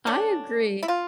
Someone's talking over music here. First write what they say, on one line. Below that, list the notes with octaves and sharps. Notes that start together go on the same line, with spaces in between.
I agree.
D3 A3 C#4 D4
E4
F4